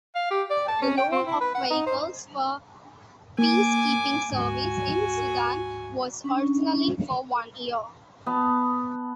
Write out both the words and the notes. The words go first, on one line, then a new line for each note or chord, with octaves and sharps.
The loan of vehicles for peace-keeping service in Sudan was originally for one year.
F5
G4
D5
A5
C#4
G5
C4
E4
B4
F#5
D#4
C5
A#3 G#5 D6
D2 G#2 F#4 G#5
C#4 D4 C#6
B3 A5